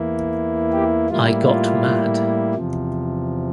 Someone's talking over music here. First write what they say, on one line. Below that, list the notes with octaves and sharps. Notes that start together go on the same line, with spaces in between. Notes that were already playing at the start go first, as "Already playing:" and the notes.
I got mad.
Already playing: E2 E3 A#3 E4
G4
A2 G3 A#3 E4 F4
F4
E2 C3 F3